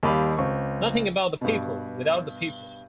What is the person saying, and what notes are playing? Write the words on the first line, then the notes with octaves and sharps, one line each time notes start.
Nothing about the people without the people.
D#2 G3 G4 D#5 F5 B5
C#2 C4 C#6
G2 B2